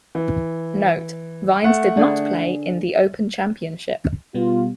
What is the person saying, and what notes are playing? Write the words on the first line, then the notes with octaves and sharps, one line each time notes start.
Note: Vines did not play in The Open Championship.
E3
A3 F#5
D3 G#4
B2 G3 B3 F4